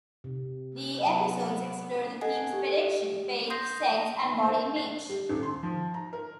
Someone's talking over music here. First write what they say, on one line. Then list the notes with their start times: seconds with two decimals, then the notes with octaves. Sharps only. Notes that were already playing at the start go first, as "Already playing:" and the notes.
The episodes explore the themes of addiction, faith, sex and body image.
0.24 C3
0.98 F#3 B3
2.21 A4 D#5 F#5 G#5
2.53 G4
3.50 C6 D#6 G6 A#6 C7
4.21 B5
4.43 C5
4.76 C7
5.09 G3
5.29 D#1
5.43 C6
5.63 F3
5.94 A#5
6.13 A#4